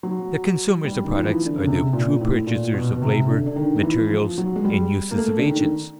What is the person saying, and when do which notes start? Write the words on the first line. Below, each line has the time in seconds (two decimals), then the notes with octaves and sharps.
The consumers of products are the true purchasers of labor, materials, and uses of agents.
0.03 F#3
0.85 G3
1.05 D#3
1.16 F3
1.26 E3
1.46 D3
1.57 C#3
1.67 C3
1.93 A#2
2.21 A2
2.47 A#2
2.74 B2
2.96 B2
3.01 C3
3.29 D3
3.46 D3
3.56 D#3
3.83 E3
4.10 F3
4.38 F#3
4.56 G#3
4.65 G3
5.11 A#3
5.18 A3
5.38 D3
5.46 D#3